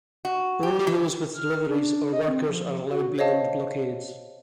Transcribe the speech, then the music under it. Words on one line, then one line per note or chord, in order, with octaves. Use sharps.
Only those with deliveries or workers are allowed beyond the blockades.
F#4
G4
E3
F6
D4
D#5
C4
F3
F#4
C5 C#5 D#5 F5 A5